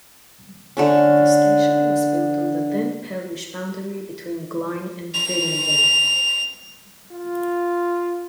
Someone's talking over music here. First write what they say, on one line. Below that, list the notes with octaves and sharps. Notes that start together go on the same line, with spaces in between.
The station was built on the then parish boundary between Glynde and Beddingham.
D3 A3 C#4
F7
F4